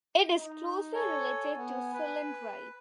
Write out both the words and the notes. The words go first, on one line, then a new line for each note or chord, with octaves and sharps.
It is closely related to cylindrite.
D#4
A4 C#5 G#5
B3
B4